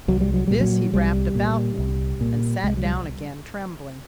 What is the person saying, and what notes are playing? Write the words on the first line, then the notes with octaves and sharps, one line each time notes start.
This he wrapped about him and sat down again, trembling.
C2 F#3
G3
F#3
A#2 G3
F#3
C2 G3
A#2
C2
A#2
C2 G#3
F#3
G3